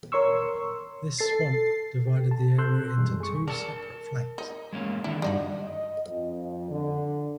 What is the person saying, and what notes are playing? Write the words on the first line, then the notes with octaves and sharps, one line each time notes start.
This swamp divided the area into two separate flanks.
A#4 C#5 C6 C#6 E6
A4 A6 C7
G4
A5
C4 A4 C6 E6 F#6 G6
F#2 B2 E3 G3 G#3
G#4 C#6
D4 A#4 A5
D#4
G#3 A#3 C#4
D3 D#3 D4 E4
G2 G3 D4 D#4 F#4
D#5
F2
D3